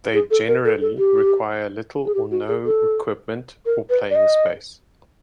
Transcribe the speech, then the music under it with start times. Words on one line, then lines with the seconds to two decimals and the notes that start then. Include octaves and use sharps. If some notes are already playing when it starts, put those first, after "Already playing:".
They generally require little or no equipment or playing space.
0.14 G#4
0.31 A4
0.48 A#4
0.65 A4
0.81 A4
0.98 G4
2.06 G#4
2.15 G4
2.31 F#4
2.48 G#4
2.65 A4
3.66 A#4
3.90 B4
4.11 D5
4.16 D#5